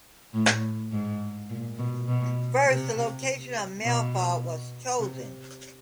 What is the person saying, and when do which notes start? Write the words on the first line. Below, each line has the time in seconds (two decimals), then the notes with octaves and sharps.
First the location of Melfa was chosen.
0.34 A2
0.92 G#2
1.49 A#2
1.79 B2
2.08 B2
2.67 C3
3.83 B2
4.99 C3